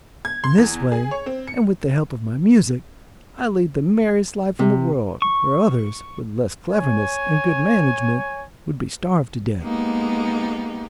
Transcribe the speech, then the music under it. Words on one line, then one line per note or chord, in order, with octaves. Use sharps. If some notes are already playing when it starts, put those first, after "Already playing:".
In this way, and with the help of my music, I lead the merriest life in the world, where others, with less cleverness and good management, would be starved to death.
G#6
C6
E2
G#4
C#5
C4
C#7
C3
C#6
C#5 G#5
G#3 A#3 B3 D#4 G4